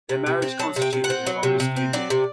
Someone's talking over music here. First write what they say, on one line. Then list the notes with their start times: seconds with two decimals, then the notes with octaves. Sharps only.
Their marriage constituted his longest union.
0.09 C3
0.26 C3
0.42 C4
0.59 F#3 A5
0.76 C3
0.82 G5
0.93 C3
1.04 F#5
1.10 C4
1.26 F#3
1.43 C3
1.60 C3
1.76 C4
1.93 F#3 D5
2.10 C3